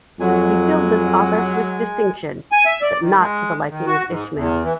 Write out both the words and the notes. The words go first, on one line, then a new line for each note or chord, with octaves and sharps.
He filled this office with distinction, but not to the liking of Ismail.
F2 F#3 G#3 G#5
G#5
E5
D5
D#3
G#3
D#3
F#4
G#2
E2
E3